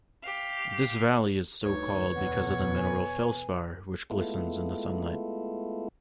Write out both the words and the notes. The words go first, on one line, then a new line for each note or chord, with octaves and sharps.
This valley is so-called because of the mineral felspar which glistens in the sunlight.
G4 F5
D2 G2 D#4 B4 C#5
E2 B2 F#5
G#5
G#3 A3 B3 E4 F4 A4